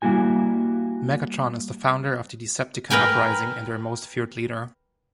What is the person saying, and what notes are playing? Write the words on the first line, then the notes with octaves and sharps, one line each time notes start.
Megatron is the founder of the Decepticon uprising and their most feared leader.
G3 A#3 E4 F#4 G#5
A#4 B4 G5 G#5